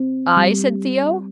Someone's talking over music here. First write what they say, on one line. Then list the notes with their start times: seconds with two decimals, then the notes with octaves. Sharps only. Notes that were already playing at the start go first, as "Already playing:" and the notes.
"I?" said Theo.
Already playing: C4
0.37 G3